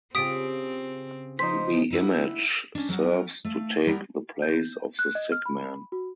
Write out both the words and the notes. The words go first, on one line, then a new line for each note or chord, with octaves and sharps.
The image serves to take the place of the sick man.
C#3 C4 F4 G4 D#6 B6 D7
F3 D#4 C5 B6
D#4 E4 F#5
C#4 D4
F#3 A#4 F#5
A3 F5
G3 B3 E4 G4 A#4
G6
F#6
D#5
F6
B5
F#4